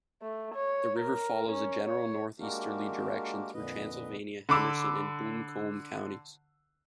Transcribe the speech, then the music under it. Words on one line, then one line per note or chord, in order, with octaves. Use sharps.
The river follows a general northeasterly direction through Transylvania, Henderson, and Buncombe counties.
A3
C#5
A#4
C#4
C#5
G#3 A#3 D4 F#4 G4 A#4
F2 A#2 D3 B4 D#5
D3 B5 D6 E6